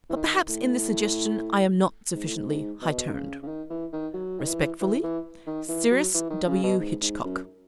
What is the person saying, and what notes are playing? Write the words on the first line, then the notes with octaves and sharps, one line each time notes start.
But, perhaps in this suggestion I am not sufficiently high-toned.--Respectfully, CYRUS W. HITCHCOCK.
E3
D#3
A2
G#2
A2
G#2
G#2
B2
D#3
C#3
C#3
D#3
E3
D#3
F#3
D#3
E3
E3
E3
D#3
E3
F#3
E3
D#3
C#3
B2
G#2
G#2
F#2